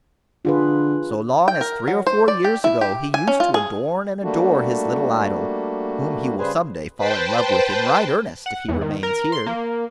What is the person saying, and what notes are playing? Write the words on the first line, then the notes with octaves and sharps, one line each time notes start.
So long as three or four years ago he used to adorn and adore his little idol, whom he will some day fall in love with in right earnest if he remains here.
D3 F4 G#4 B4
G5
A#4
F#3
C5
D5
G4
E4
G4
G#5
C#4
F4
G#4
G3 A3 A#3 D4 F#4
C#3 G3 G#4 B4 C5 G#5
B4 C5 G5 A5
F#5
E2
D#3
A#4
C6
A#3